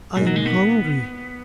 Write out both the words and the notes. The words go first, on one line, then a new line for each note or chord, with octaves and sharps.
"I am hungry."
G#2 B2 A#3 D#4
F#3
G#3
B3